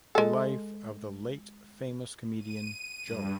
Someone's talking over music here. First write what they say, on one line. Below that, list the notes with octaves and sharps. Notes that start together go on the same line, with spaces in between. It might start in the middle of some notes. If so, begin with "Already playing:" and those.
The Life of the Late Famous Comedian, Jo.
G#3 A4
D#7
G2